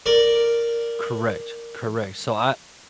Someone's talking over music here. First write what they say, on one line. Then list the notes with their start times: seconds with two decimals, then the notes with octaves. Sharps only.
Correct. Correct. So I
0.06 A#4 D5